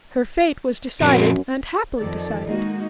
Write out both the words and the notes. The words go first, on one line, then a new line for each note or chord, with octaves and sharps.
Her fate was decided and happily decided.
F#2 A#2 F3 C4
F2 D#3 A4 D5
G#3 A#3 D#4 F#4